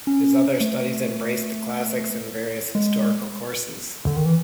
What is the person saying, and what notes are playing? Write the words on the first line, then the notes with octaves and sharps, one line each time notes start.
His other studies embraced the Classics and various historical courses.
C#4
A3
G#3
D3
D#3
E3